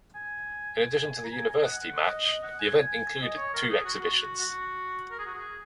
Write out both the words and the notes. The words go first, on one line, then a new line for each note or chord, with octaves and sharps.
In addition to the university match the event included two exhibitions.
G#5
G#5
G#5
A#5
G#5
G#5
D#5
F#5
F#5
D#5
D#5
F#5
G#5
G#5
D#5
C#5
A#4
G#4
F#4
F#4
F#4
F#4
A#4
G#4
F#4
G#4